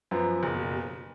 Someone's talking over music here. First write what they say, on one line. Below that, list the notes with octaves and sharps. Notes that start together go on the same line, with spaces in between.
Yeah, yeah.
F#2 F3 B3
F#1